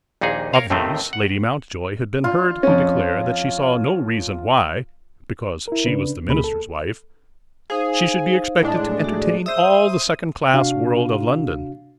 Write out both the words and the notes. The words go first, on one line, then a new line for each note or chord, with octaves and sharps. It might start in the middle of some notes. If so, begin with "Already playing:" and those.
Of these Lady Mountjoy had been heard to declare that she saw no reason why, because she was the minister's wife, she should be expected to entertain all the second-class world of London.
A#1 D#2 A#2 D#4 G#4
A#4 C#5 F5
D#2 A2 C3 D#3 A3 C4
F#5
F4
F2 C#4
E4 A#4
C#3 D4 B4
C#2 B2 A#3 G#4 B5
A4
D#4 G#4 C5 F5
A2 G#3 D4
F#4
C5 E5 D#6 E6
C3 D4 F#4 F5